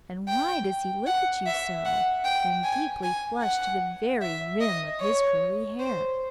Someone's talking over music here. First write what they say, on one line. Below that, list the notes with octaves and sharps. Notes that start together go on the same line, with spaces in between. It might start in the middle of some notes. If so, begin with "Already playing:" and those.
And why does he look at you so, and deeply flush to the very rim of his curly hair?
G5
F#5
E5
F#5
G5
G#5
G#5
F#5
E5
D#5
C#5
C5